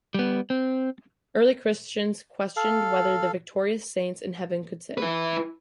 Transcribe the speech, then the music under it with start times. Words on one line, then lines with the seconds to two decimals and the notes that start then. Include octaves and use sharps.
Early Christians questioned whether the victorious saints in heaven could sin.
0.14 G3 B3
0.50 C4
2.56 A4 F5
4.98 E4 B4